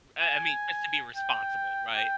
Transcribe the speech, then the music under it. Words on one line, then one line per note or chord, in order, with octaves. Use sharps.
b I I mean, just to be responsible, right?
G#5
G5
G5